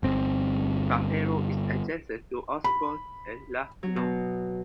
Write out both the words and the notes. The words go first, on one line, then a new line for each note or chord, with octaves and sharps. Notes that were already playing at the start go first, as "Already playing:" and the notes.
Taperoo is adjacent to Osborne and Largs North.
G1 C4
B5
F#3
B2